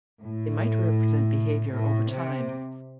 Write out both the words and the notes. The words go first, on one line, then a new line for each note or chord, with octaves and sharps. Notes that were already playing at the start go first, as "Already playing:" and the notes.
They might represent behavior over time.
A2
A2
C3